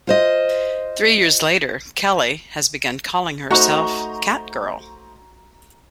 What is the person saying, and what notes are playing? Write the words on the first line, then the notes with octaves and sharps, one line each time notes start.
Three years later, Kelley has begun calling herself "Catgirl".
F4 C5 D#5
A3 D#4 F#4 C5 A#5 C#6